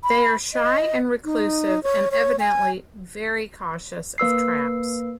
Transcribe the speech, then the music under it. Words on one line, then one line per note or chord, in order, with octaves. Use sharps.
They are shy and reclusive, and evidently very cautious of traps.
B5
D#5
D#4
C#5
C#5
G#5
A#3 B4 E6 C7